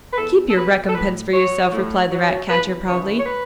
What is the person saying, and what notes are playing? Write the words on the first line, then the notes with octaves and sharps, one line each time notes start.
'Keep your recompense for yourself,' replied the ratcatcher proudly.
B4
E2 A4
A4
B2 F#3 B4
A4
A2 B4
F#3 C#5
A2
F#3
E2 B4
C#3 E3 C#5
C#5
B4